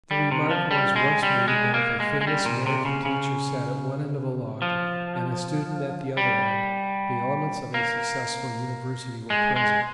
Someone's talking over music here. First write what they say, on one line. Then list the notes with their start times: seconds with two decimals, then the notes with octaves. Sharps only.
The remark was once made that if a famous American teacher sat at one end of a log and a student at the other end, the elements of a successful university were present.
0.11 G3
0.31 C3
0.50 F3
0.71 G3
0.96 G#3
1.23 G3
1.48 G#3
1.74 A#3
2.00 G#3
2.21 G#3
2.27 G3
2.46 A#2
2.66 C3
2.85 C#3
3.05 C#3
4.62 F3
6.17 G3
7.74 A#3
9.30 G#3
9.56 G#3